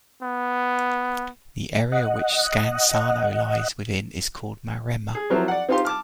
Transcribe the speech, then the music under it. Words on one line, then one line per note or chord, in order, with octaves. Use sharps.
The area which Scansano lies within is called Maremma.
B3
D#5 F#5
G#4
F3 F#3 C4 E4 A#4
D5 F#5
C4 D#4 F4 G4 C6
A5 D6 F6